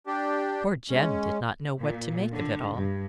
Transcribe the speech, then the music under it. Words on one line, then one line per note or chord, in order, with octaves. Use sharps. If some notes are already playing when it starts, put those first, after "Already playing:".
Poor Jem did not know what to make of it all.
D4 G4
G#3 C#4
A#2
D3
G2